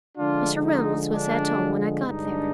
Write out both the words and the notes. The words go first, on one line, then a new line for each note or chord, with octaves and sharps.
Mr. Reynolds was at home when I got there.
D3 F3 G#3 D4 F4
D#4
D4
G2 D3 G#3 D4 D#4